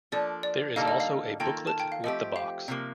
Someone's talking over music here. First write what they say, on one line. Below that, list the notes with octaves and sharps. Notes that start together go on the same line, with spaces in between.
There is also a booklet with the box.
F3 A#3 D4 A4 D5
D5
D3 G3 A#3 D#4 A4 F5
D#5
F5
D#3 A#3 F4 A4 G5
A5
G5
F5
F3 A3 C4 G4 D#5
F5
C3 F3 A#3